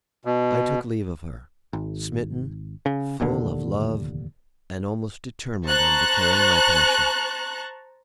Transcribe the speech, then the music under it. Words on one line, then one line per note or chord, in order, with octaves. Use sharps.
I took leave of her, smitten, full of love, and almost determined on declaring my passion.
B2
G#1
C#3
F1 D#2 A#2 D3
C5 A5 A#5 C#6 F#6